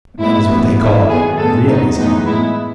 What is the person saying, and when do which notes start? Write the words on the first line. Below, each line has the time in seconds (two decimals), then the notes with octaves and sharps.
That is what they call realism.
0.19 A2 G#3 B3 E4
0.49 A2 E3 B3
0.78 D#3 A3 E4
1.07 D#3 F#3 B3 G#4
1.37 A2 G#3 B3 A4
1.67 D#3 F#3 B3 D#4
1.97 A2 E3 G#3 B3 D#4
2.26 A2 G#3 B3 E4